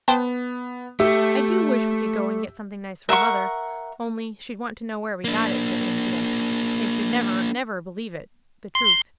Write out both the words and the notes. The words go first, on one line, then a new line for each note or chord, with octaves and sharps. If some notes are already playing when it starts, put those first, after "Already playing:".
'I do wish we could go and get something nice for mother, only she'd want to know where we got it,' said Anthea. 'And she'd never, never believe it, the truth.
B3 C5 G5 A5
A3 G4 E5
A#4 E5 F#5 C#6
A#3 D4
C6